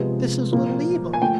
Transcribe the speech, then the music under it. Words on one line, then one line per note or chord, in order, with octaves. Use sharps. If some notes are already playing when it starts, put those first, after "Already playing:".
"This is Little Eva."
Already playing: C3 F3 G#3 B3
A#2 F3 A#3
G#5
F3 A3 G5